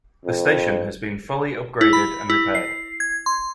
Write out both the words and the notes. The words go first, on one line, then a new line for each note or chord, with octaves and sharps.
The station has been fully upgraded and repaired.
F2
E4
B5
E4
C7
G#6
C6